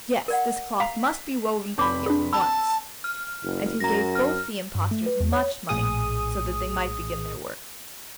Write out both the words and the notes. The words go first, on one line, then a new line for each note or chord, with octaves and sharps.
Yes, this cloth must be woven for me at once.' And he gave both the impostors much money, so that they might begin their work.
A#4 D5 F#5
F5 A#5 B6
F1 D#4 C#5 B5 D6
D4 G#4
A5 B5 E6
F6
F#1
F#2 A#5 A#6
F6
G2
A3
B4
E2
C#5
A#1 A2 G#4 D#6